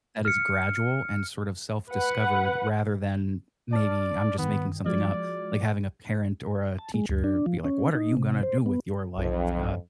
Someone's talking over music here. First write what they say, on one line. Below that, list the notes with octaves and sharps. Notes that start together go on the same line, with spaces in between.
that is gradual and sort of self-discovered rather than, maybe I'm just making something up, like having a parent or a teacher be like, "What are you gonna do with your life?" Uh,
F6 C#7
B4 F#5
D5 A5 F6
G2 D#3 B3
F3 G#3 F#4 D5
A5
G#3
D2
D4
F3
C#4
D#4
C3
C5
B3
B1 F2